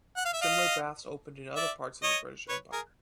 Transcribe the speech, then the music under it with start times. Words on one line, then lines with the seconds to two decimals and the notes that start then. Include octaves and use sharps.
Similar baths opened in other parts of the British Empire.
0.17 F#5
0.25 F5
0.34 E5
0.41 D#5 F5
1.56 D5 E5
2.03 C#5 D#5
2.49 B4 C#5
2.73 G#4 A#4